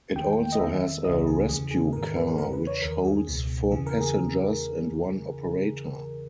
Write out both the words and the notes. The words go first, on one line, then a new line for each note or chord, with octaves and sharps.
It also has a rescue car which holds four passengers and one operator.
E2 D#3 G5
D#5
E2 D#3 E5
C#2 C#3 E3 D#5
G#4
E2 C#3 E3 G#4
G#4
G#2 D#3 A#4
A#4
B4
G#4
E2 C#3 E3 A#4
B4
C#5
E2 D#3 A#4
G#4
C#2 B2
E2 C#3 E3 G#4
A#4
G#4